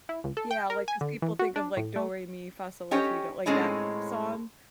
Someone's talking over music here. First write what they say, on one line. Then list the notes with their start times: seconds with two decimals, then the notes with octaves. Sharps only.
Yeah, like, 'cause people think of like Do Re Mi Fa So La Ti Do, like, that song,
0.09 E4
0.24 C#2
0.37 A4
0.51 G5
0.70 A#4
0.88 G#5
1.01 D3
1.22 E3
1.39 F#4
1.56 D4
1.77 A2
1.96 A3
2.91 C#4 D#4 G4 C#5 G5
3.46 A2 G#3 C4 C#4 D#4